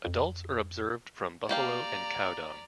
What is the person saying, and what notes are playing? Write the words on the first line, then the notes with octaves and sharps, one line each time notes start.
Adults are observed from buffalo and cow dung.
F2
A#3 G4 D5 F5 A#5